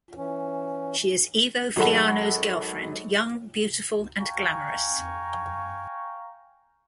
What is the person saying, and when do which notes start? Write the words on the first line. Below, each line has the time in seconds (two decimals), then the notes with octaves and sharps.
She is Ivo Flaiano's girlfriend, young, beautiful and glamorous.
0.17 E3 C#4
1.76 G#1 F#3 G#3 A4 F#5 B5
4.19 F5 G5 G#5 A#5 C#6